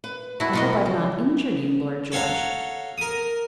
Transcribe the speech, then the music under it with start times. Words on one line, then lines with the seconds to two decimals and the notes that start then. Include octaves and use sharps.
"I hope I have not injured you, Lord George."
0.04 B4
0.40 E4 F#4 B4 C5 A5
0.53 B2 A#3 B3 F4 F#4 D#5
0.85 C#3 F3
2.12 A4 C#5 F5 F#5 A#5
2.98 A#4 D#6